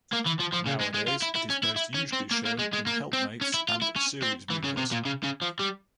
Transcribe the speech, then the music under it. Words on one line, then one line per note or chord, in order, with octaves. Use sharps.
Nowadays it is most usually shown in helpmates and seriesmovers.
A#3
E3
F3
F3
C#3
G#3
G#3
F4
E4
E4
C#4
E4
E4
C#4
C4
A#3
A#3
G#3
G#3
A#3
C4
C#4
E4
F4
E4
C#4
C4
E3
C#3
C3
A#2
C#3
C#3
F3
G3